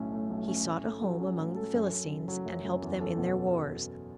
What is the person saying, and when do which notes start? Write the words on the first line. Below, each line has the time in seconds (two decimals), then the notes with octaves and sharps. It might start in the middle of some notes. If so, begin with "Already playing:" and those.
He sought a home among the Philistines and helped them in their wars.
Already playing: B1 A2 C#4
0.12 A3
0.30 B1
0.48 C#4
0.66 A2
0.84 A4
1.02 F#3
1.20 C#4
1.38 A2
1.56 A4
1.74 F#2
1.92 F#2
2.10 C#3
2.28 F#3
2.46 F#2
2.64 F#2
2.82 E2
3.00 A4
3.19 B2